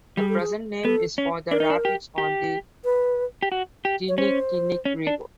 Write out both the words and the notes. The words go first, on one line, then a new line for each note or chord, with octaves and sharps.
The present name is for the rapids on the Kinnickinnic River.
G3 G#4
A4
G#4
B3 A4
C#4
D4 A#4
D#4
D4
G4
G4
B4
G4
F#4
G4
C#5
C#4 C5
C#4
D4